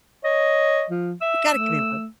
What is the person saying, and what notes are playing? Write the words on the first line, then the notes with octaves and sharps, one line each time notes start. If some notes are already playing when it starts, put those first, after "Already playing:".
You gotta give me one.
C#5 D#5
F3
E5 E6
A3